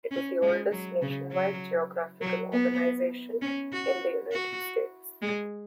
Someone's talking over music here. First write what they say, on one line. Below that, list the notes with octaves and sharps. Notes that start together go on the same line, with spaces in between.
It is the oldest nationwide geographical organization in the United States.
C#4
G#3
F#3
C#3
F#3
F#3
B3
C#4
F#4
F#4
G#3